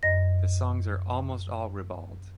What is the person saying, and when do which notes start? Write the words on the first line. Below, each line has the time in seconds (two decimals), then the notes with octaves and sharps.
The songs are almost all ribald.
0.03 F#2 D#5 A#6